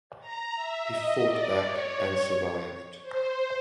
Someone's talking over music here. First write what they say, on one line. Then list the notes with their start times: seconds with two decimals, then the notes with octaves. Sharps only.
He fought back and survived.
0.20 A#5
0.55 E5
0.91 D#5
1.26 D5
1.61 C#5
3.03 C5